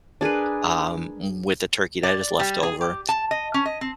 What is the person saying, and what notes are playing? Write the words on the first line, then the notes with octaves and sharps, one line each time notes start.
um, with the turkey that is leftover.
D4 G#4 A#4 B4
D5
G3
G#4
G4
A5
D#5
C#4
D#5
C4